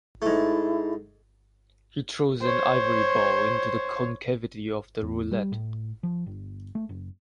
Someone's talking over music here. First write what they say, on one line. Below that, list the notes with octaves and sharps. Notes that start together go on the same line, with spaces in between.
He throws an ivory ball into the concavity of the roulette.
G#2 A3 E4
C5 C#5
E2
G3
A2
F3
G1
A3
F#1